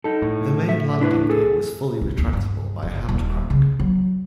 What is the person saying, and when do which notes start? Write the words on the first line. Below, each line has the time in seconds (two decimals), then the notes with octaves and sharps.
The main landing gear was fully retractable by a hand crank.
0.04 D#4 A4
0.22 A2
0.69 E5
1.01 D4 E4 B4
1.30 G#4 A4
2.02 B2
2.18 D#2
2.33 G2
2.82 F#1
3.09 D#1
3.50 C#3
3.80 F#3